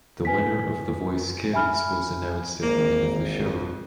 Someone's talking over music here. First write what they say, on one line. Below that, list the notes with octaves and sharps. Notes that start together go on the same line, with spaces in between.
The winner of The Voice Kids was announced at the end of the show.
B4 G#5 B6
E5 G#5 B5 F6
G#1 A#3
F2